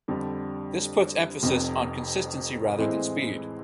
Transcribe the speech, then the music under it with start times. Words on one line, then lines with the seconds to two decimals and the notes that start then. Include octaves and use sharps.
This puts emphasis on consistency rather than speed.
0.08 F2 D3 G3
1.43 F1 F2 C3
2.78 A2 E3 G#3 C4 E4